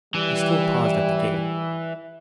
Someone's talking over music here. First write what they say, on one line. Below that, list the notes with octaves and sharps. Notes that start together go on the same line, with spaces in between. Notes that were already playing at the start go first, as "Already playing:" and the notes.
He still paused at the gate.
E3 G3